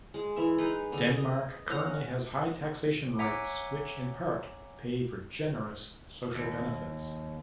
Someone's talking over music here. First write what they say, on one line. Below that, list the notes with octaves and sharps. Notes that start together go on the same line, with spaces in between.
Denmark currently has high taxation rates which in part pay for generous social benefits.
G#3
E3 E5
D#4 G#4 B4
D3
D#5
C#4 F5 F#5 A#5
C#5 E5 F#5 G#5 A#5 D6
D#2